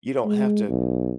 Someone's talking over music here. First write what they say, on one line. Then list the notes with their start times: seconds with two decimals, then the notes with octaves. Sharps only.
You don't have to
0.25 G#3
0.68 B1